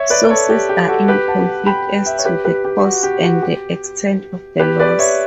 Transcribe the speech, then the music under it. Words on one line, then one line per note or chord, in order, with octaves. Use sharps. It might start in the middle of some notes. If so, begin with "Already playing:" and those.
Sources are in conflict as to the cause and the extent of the loss.
Already playing: C#5 E5
B4 D5
A4 C#5
G4
G4
F#4 A4
G4 B4
F#5 A5
G5 B5
E5 G5
C#5
G4 B4
G4 B4
G4
F#4
G4
F#4
G4
G4 B4
B4 D5
C#5 E5